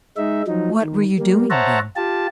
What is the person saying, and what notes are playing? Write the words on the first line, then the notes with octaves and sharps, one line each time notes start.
"What were you doing, then?"
G#3 D#4 E5
F3 F#3 D#4
D#3
G3 A#3
C5 C#5 E5 F#5 A5 A#5
F4 G4 A5